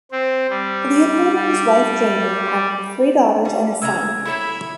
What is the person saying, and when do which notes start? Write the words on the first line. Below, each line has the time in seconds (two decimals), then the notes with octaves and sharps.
Leopold and his wife Jamie have three daughters and a son.
0.11 C4
0.50 G3
1.35 G3
3.45 G3
3.82 C#3 A4 A#5 E6 G#6
4.25 E4 A4 C#5 E5 B5